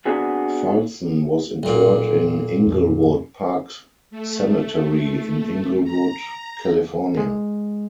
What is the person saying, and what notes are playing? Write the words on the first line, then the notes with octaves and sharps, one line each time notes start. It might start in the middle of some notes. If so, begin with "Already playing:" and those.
Fulson was interred in Inglewood Park Cemetery, in Inglewood, California.
B3 C4 D4 F#4 G#4
B1 A#2
F2
A3
A#5
G#3